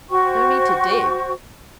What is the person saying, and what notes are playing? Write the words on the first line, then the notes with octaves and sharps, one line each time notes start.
No need to dig.
F#4 C5 G5 C#6